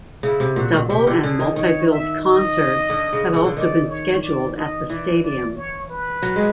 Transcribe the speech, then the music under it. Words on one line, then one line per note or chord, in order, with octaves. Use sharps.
Double and multi-billed concerts have also been scheduled at the stadium.
C#3 E4
C3
A#2 F#4
A#2
C3 G4
D3
D3 G#4
D#3
D#3 C#5
E5
D#5
D3
C#3
C#3
D3
D#3 D5
C#5
D5
D#5
E3 D5
D5
C#5
B4
F#3
G#3